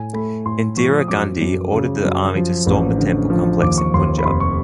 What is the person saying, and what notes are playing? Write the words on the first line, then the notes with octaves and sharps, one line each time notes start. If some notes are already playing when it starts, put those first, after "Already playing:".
Indira Gandhi ordered the army to storm the temple complex in Punjab.
Already playing: A2 G#5
A3 B5
A2 C6
F3 C#6
D#6
F#2 D6
F#2
C#3
F#2
F3
A1
D3
F3
D#2 D6
C#6
D#2 C6
B5
F1 C6
C#6